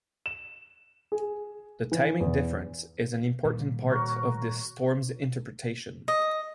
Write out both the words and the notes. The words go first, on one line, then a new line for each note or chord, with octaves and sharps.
The timing difference is an important part of this storm's interpretation.
E7
G#4
E3
E2
A#2 D#3 G3
F#4 A#4 C#5
D#5